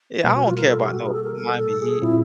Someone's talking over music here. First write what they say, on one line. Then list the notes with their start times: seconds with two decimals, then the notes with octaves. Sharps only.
Yeah, I don't care about no Miami Heat.
0.24 B2 G3 A#3 B4
0.35 F#4
0.46 F4
0.57 A#4
0.68 A4
0.80 G4
0.90 F#4
1.02 G#4
1.13 A4
1.24 A#4
1.35 A#4
1.46 A4
1.58 A4
1.80 G#4
2.02 A#2 G3 C4 E4 F4